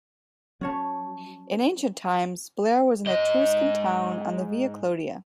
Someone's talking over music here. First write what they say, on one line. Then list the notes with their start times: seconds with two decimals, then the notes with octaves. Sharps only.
In ancient times, Blera was an Etruscan town on the Via Clodia.
0.61 F#3 C#4 C#5 A5
3.06 G#2 D#5